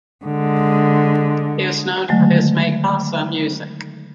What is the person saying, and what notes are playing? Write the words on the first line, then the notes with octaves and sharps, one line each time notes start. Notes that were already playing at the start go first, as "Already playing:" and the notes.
He is known for his makossa music.
D3 G#3
D3 D#3 F#3 G#3 A3